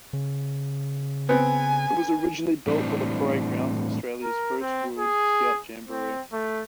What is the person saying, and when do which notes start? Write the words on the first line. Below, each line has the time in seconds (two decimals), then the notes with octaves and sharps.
It was originally built for the parade grounds of Australia's first World Scout Jamboree.
0.13 C#3
1.29 B3 C4 G#5
2.67 A2 E3 G3 C4 D4
4.23 A#4
4.60 C4
4.98 G#4
5.87 C4
6.32 A3